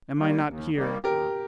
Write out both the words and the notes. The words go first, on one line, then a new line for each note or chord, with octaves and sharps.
Am I not here?
D#3 G3 A#3
D#2
D#3 G3 A#3
D#2 G4 A#4